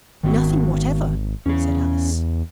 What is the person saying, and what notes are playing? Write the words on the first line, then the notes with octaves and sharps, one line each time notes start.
'Nothing whatever,' said Alice.
G#1 D#3 B3 F#4
E2 C#4 G#4